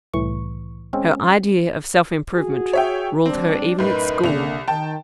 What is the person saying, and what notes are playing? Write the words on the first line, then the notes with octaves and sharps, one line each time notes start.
Her idea of self-improvement ruled her even at school.
C2 A2 E3 C#6
G#3 C4 C#4
F#4 G#4
C#5 E5 G5
G3 C4 D4
F#2 A2 D#4 A#4 B4
C2 D3 A#3 F7
D#3 G5 A5